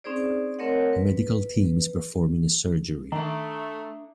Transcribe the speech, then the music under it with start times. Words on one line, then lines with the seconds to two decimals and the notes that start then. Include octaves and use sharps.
A medical team is performing a surgery.
0.04 C4 C#4 D#4 G#4 C5 D5
0.59 A3 C4 A#4 C#5 D#5 F#5
0.93 B4
3.12 D#3 A3 D4 E5 A#5